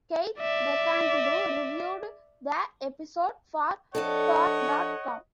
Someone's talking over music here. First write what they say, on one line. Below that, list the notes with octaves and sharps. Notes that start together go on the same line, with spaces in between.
Keith DeCandido reviewed the episode for Tor dot com.
D5 E5
F2 D4 A4 C#5 D#5 F#5